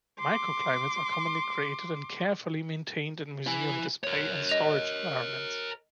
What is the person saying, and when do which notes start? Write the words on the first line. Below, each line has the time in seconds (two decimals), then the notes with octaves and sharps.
Microclimates are commonly created and carefully maintained in museum display and storage environments.
0.18 C6 D6
3.47 E4 G#5
4.04 A#4 C#5
4.49 D#5 F7